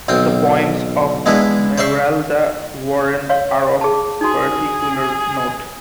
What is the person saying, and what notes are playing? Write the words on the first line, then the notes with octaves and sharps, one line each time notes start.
The poems of Meralda Warren are of particular note.
B1 C4 G5
G#3 B3 D4 E4
C5 D5 E5 C6 C#6
C#5 F5
G#4 A5
D#4 F#4 G#4